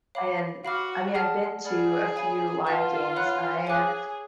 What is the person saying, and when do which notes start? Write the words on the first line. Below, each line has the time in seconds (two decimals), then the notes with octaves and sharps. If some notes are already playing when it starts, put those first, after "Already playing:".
and, I mean, I've been to a few live games. I am
0.15 C#5 F5 B5 D6
0.65 F#4 F5 B5 D6 F6
1.15 G#4 D5 F#5 A5 F6
1.65 G#4 D5 F#5 B5 F6
2.16 C#5 F5 G#5 B5
2.66 F4 B4 F#5 A5
3.16 C#5 F#5 B5 F#6
3.67 G#4 C#5 G#5 D6 F#6